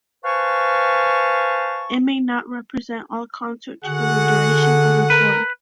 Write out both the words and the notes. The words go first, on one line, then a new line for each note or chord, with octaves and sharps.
It may not represent all concerts for the duration of the tour.
B4 C5 F5 G#5 A5 C#6
D3 F#4 G#4 F#5
A#4 B4